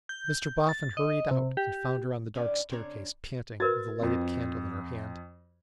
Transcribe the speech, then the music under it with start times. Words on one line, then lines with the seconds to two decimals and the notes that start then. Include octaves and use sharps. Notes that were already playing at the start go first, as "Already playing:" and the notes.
Mr Boffin hurried out, and found her on the dark staircase, panting, with a lighted candle in her hand.
0.09 G6
0.69 A6
0.97 D#5
1.31 C3
1.57 G4
2.35 A2 D3 C#4 D5 G#5
2.70 C#3 C4 D4 C#5 A#5
3.60 F#4 A#4 B4 G#6 A6
4.00 F2 C4